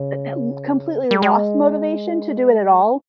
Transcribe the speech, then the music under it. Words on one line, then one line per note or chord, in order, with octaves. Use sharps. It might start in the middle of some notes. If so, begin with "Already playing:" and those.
eh, uh, completely lost motivation to do it at all.
Already playing: C#3
G3
G#3